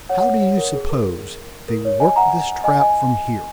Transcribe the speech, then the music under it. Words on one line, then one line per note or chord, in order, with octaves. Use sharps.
How do you suppose they worked this trap from here?
C#5 F#5
C#5 F#5
C#5
A#4
G#4
A#4
A#4
C#5
D#5 G#5
F#5 A#5
D#5 G#5
D#5 G#5